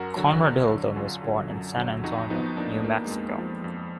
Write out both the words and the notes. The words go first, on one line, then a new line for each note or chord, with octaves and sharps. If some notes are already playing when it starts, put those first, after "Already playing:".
Conrad Hilton was born in San Antonio, New Mexico.
Already playing: F#2 F#4 A#4
D3 F#3
F#2
F#3
D3
F#2 F4 G#4
D3 F#3
F#2
D3 F#3
F2 D#4 F#4
F3 B3 D#4
F2 A#3 D4
F3 A#3
G#3
F2 A#3
F3
F2